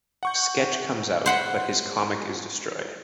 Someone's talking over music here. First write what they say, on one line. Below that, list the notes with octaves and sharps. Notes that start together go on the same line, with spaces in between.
Sketch comes out, but his comic is destroyed.
F#5 C#6 G6
C5 F#5 B5